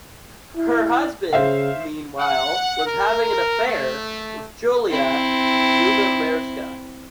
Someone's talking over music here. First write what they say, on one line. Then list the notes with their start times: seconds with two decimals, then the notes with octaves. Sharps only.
Her husband, meanwhile, was having an affair with Julia Lubomirska.
0.56 E4
1.33 C#3 C5 E5 F5
2.19 F#5
2.86 A#4
3.66 A3
4.89 C4 E4